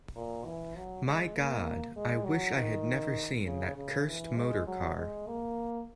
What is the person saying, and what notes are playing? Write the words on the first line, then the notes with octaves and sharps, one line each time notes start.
My God, I wish I had never seen that cursed motor-car!
A#2
E3
F#3
G#3
A#3
G#3
F#3
D#3
C#3
C#3
E3
G#3
F#3
G#3
A#3